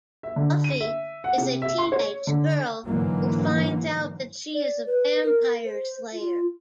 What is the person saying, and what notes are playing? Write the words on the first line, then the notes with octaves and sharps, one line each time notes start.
Buffy is a teenage girl who finds out that she is a vampire slayer.
E5
D3
D#7
E5
F#5
C3
E5
C6
C#5
D3
G#2 D3 E3 F#3 A#3
D5
B4
A#4
C5
F4